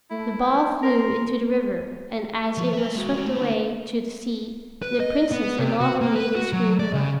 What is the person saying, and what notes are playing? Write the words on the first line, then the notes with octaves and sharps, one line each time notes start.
The ball flew into the river, and, as it was swept away to the sea, the Princess and all her maidens screamed aloud.
A3 E4
G5
A#4 C6
F3
B4 E5
G#3 F#4
G#3 F#4
A2
A3 D4
B4
D#5
B3
C3
F#4
A#3
B4
F#4
F#3
D5
C#3